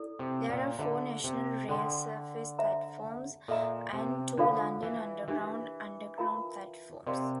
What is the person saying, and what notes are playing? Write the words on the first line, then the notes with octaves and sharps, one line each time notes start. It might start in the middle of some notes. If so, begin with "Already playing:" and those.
There are four National Rail surface platforms and two London Underground underground platforms.
Already playing: E4 A4 D5
C3
A#2
D3 F4 C5 E5 A#5
C3
D3 A4 D5 G5 C6
C5 E5 A#5
A#2 A4 E5 A#5
C3
D3 D4 F4 A4 C5 F5
E3
E3 D4 G4 A#4
F4 A#4 F5 A#5
C3 A#4 D5 F5 C6